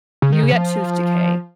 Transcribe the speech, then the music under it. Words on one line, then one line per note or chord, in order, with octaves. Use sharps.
you get tooth decay
C#3
D#3
C#3
F3